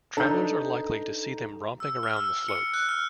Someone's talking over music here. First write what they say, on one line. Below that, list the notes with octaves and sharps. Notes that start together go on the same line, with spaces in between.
Travellers are likely to see them romping around the slopes.
D4 D#4 A4 B4 A#5 G6
E6
F6
E6
C#7
F#6
F6